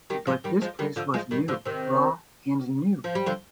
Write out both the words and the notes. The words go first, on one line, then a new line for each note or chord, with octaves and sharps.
But this place was new, raw and new.
D#3 G3
F3 G#3
D#3 G3
F3 G#3
D#3 G3
D3 F3
F3 G#3
D#3 G3
D3 F3
C3 D#3
F3
G3
D3 F3